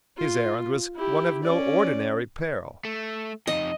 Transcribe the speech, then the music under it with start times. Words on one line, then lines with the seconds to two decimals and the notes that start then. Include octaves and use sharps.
His errand was one of no ordinary peril.
0.17 F4
0.96 E4 G4
1.44 C#4 D5
2.85 A3
3.47 F2 D#4 D#5